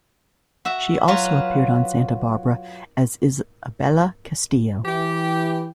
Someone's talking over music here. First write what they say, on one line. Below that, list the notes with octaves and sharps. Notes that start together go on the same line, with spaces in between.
She also appeared on "Santa Barbara" as Isabella Castillo.
F#4 E5
F#3 F4 F#4 B4
E3 G4